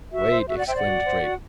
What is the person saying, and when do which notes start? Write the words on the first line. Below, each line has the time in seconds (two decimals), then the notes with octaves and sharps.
"Wait!" exclaimed Drake.
0.12 F#4 E5
0.30 C5
0.48 F#4 E5
0.57 D5 F#5
0.66 C5 E5 G5
0.75 D5 F#5
0.85 F#4
1.03 C5
1.21 F#4